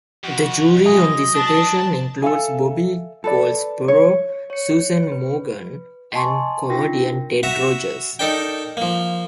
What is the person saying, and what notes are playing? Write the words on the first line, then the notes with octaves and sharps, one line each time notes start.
The jury on this occasion included Bobby Goldsboro, Susan Maughan and comedian Ted Rogers.
F2 F#4
F#3 G#3 D#5 G#5
D4 A5
A4 E5 F5 G#5
A4 B4 D5
C#5
C#5 C#7
B4
D#5 G#5 A5 C6 C#6
D4 D#4 F4 A#4 G5 A#6
F#4 E5 A#5
D#4 A4 A#4 D5 G5
F3 A#3